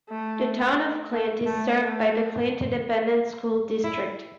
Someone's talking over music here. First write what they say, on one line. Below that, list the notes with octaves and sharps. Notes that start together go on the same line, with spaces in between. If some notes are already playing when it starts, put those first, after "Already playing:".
The Town of Clint is served by the Clint Independent School District.
A3
A3
A3
A3
E4